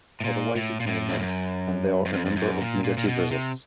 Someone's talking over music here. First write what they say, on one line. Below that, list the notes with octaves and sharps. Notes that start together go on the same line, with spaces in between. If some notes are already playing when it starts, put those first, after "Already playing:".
Otherwise it may not, and there are a number of negative results.
A2
A#2
A2
A#2
A2
F2
F#2
F#2
F2
F2
F#2
A#2
A#2
A#2
B2
C3